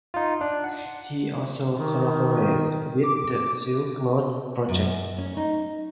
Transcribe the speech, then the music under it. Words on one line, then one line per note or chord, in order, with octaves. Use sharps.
He also collaborates with the Silk Road Project.
D#4 F4
D4
F#5
D#3
D6
F#2
C#4
D#4